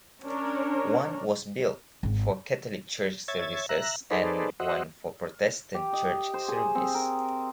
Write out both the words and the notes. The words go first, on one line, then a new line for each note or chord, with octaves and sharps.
One was built for Catholic church services and one for Protestant church service.
C#4 D4 A#4 C#5
G#1
C#5 E5 G#6 A6
E5 A#5 F#6
D#4 G#4 A4 B4 C5 D5
F#4 C5 D#5 E5 F#5
G4
D#5
C5
G#4
C4
A#4